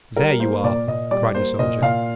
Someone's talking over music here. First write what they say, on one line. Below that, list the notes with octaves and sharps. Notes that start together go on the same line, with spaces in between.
There you are!' cried the Soldier.
G3 A#4
A#3 C5
A#2 D5
A#2 D#5
G3 D5
A#3 C5
A#2 D#5
A#2 F5